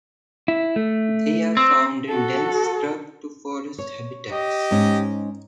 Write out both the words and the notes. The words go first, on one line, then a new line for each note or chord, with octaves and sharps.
They are found in dense scrub to forest habitats.
E4
A3
C4
F#4 A4
C#5
G4 D#5
G#2 C#4